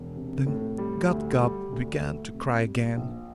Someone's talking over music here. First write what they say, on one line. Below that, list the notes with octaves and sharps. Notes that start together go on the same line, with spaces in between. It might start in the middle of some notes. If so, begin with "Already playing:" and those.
Then Gub-Gub began to cry again.
Already playing: E1
C3
A2
G3
D2
G3
D2
A3
C3
G3
A#1